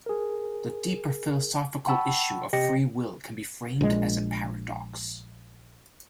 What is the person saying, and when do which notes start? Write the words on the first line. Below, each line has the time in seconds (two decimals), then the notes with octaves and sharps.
The deeper philosophical issue of free will can be framed as a paradox.
0.06 G#4 A#4
1.87 F#5 G5 A5 B5 C#6 E6
2.53 C3 G4 D#5 G5 A#6 C#7
3.81 A#1 G#3